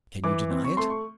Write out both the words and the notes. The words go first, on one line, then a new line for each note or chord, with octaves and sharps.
Can you deny it?
E3 D6
C4
C#6
A3 C6
C#6